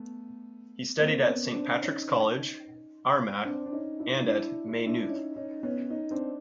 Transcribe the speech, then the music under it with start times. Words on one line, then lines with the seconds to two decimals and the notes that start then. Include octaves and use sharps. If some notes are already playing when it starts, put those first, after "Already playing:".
He studied at Saint Patrick's College, Armagh and at Maynooth.
Already playing: A3 B3
1.00 A#3 C4
1.24 C4
1.27 B3 C#4
1.54 C4 D4
1.81 C#4 D#4
3.45 C4 D4
3.66 D4
3.72 C#4 D#4
4.00 D4 E4
4.27 D4 E4
4.68 E4
4.77 D#4
4.86 D4 E4
5.09 C#4 D#4
5.36 C#4 D#4
5.63 B3 C#4
5.90 C#4 D#4
6.11 C4 D4